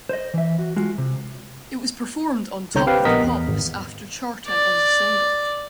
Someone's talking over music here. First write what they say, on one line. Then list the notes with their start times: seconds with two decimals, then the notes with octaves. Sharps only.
It was performed on "Top of the Pops" after charting as a single.
0.09 C5 D#5
0.34 E3 E5
0.59 F#4
0.76 G#3 F4 F#4
0.98 C3
2.75 C2 D3 C#5 A#5 G6
2.87 C4 G4 B4 F5 G5
3.05 A#1 B3 A#4 D#5 B6
3.23 E2
3.48 G#1
4.47 D5